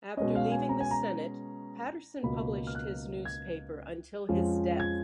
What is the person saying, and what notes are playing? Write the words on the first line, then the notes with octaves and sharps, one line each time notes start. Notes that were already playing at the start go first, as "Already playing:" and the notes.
After leaving the Senate, Patterson published his newspaper until his death.
B2 G#3 C#4 D#5
F5
G#5
A#5
G#5
A#5
C#2 B2 A#3 B5
F6
F#6
G#6
F2 F3 G#3 C#4
G#6